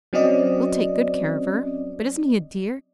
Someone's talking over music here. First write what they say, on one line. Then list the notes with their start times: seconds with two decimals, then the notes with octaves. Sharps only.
We'll take good care of her. But isn't he a dear?
0.13 F#3 C4 C#4 D5 D#5